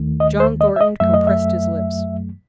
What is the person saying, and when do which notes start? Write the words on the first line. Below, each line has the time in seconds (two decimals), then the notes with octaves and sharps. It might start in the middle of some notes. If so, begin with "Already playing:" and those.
John Thornton compressed his lips.
Already playing: D#2 D#3 A3
0.20 D#5
0.40 C5
0.61 D#5
0.76 E5
0.81 D#5
1.00 F#2 F#3 A3 E5
1.14 D#5
1.27 E5